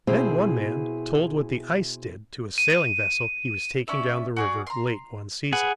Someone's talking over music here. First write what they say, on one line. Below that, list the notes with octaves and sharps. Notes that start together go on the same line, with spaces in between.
Then one man told what the ice did to a sailing-vessel he was taking down the river late one season.
B2 C4 E4 G#4
D#7
C#4 D5 E5
F#4 G#4 D5
A#5 C6
G#4 B4 F#5